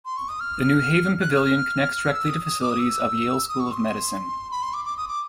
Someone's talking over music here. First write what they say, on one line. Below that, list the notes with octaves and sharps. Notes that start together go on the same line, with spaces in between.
The New Haven Pavilion connects directly to facilities of Yale School of Medicine.
C6
C#6
D#6
F6
F#6
F6
E6
D#6
D#6
D6
D#6
E6
D#6
C#6
C6
B5
C6
D6
D6
D#6
D6